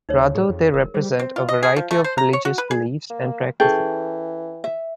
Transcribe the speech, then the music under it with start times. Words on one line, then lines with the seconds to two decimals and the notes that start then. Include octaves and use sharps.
Rather they represent a variety of religious beliefs and practices.
0.09 D2 D#4 C5 C#5
0.35 A2 G#4
0.49 F2
0.74 E1 A#4
0.94 G3 G#4 C5
1.19 C4
1.36 F4
1.49 D#5
1.63 G#4
1.76 F3
1.91 A3
2.04 C5
2.18 A#5
2.33 C#5
2.45 F#4
2.58 B4
2.71 G#4
3.10 A#3
3.60 E3 C#4 G#4 A4 G5
4.64 E5